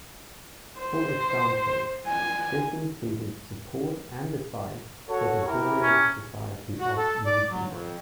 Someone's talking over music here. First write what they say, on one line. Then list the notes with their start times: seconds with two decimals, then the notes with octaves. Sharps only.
For example, this included support and advice for the Dorian Society of New Zealand.
0.79 C5
2.06 G#5
5.09 F#4 A4 C#5
5.45 E4 G4 A#4
5.83 C#4
6.79 F#4
6.97 A4
7.26 D5
7.50 F#3
7.66 F2